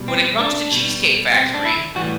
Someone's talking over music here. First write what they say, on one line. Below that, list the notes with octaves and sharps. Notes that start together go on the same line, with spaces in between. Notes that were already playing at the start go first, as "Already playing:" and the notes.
when it comes to Cheesecake Factory,
Already playing: B2 G3
C4
D4
B2 G3
C4
D4
E4
A2 E3 G3 F#4